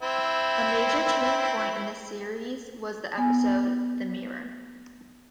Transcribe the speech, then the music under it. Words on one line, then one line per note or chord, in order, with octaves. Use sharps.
A major turning point in the series was the episode "The Mirror".
C4 E4
B3 G#5